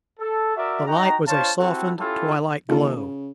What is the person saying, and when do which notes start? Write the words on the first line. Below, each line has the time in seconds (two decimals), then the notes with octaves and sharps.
The light was a softened twilight glow.
0.19 A4
0.56 F#4 A#4 D5 E5
0.87 D#4 F#4 G5 A#5
1.28 D4 F4 C5 C#5 F5 A5
1.59 C4 E4 F#4 G4 A4
1.98 C#4 E4 F4 G4 A4
2.69 D#2 D#4 F4 A4
2.96 C#3